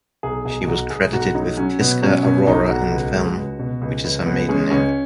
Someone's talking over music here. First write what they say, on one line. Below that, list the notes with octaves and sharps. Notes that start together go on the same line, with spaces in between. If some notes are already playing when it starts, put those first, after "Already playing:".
She was credited with Tisca Arora in the film which is her maiden name.
B1 G#4
B1 G#4
G#4
B1 F#4
B1 G#4
B1 F#4
F#3 D#4
F#3 C#4
B2 B3
F#3 C#4
B2 C#4
B1 D#4
B1 F#4
C#2
G#3
C#2
B2
C#2
C#2
C#2 B3
G#3 C#4
C#2 C#4